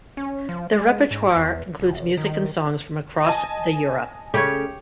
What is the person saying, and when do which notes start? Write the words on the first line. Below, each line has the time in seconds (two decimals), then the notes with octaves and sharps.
Their repertoire includes music and songs from across the Europe.
0.17 C#4
0.49 F3
0.72 G#3
1.11 G#2
1.36 E2
1.80 F1
2.17 D#3
3.25 D#5 G#5 A5
4.34 C#3 A3 G4 C#5